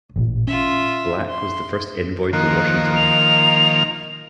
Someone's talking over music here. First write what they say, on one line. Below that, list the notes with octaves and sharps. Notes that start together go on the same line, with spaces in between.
Blak was the first envoy to Washington.
A1 A#2
C#4 F4 E5
C6
D#3 F3 A#3 F#6
F7